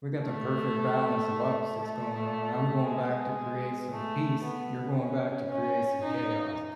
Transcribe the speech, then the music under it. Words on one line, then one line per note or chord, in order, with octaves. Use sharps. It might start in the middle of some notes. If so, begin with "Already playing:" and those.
we got the perfect balance of opposites going on. I'm going back to create some peace, you're going back to create some chaos.
A3
A3
G#3
A3
B3
C#4
C#4
D#4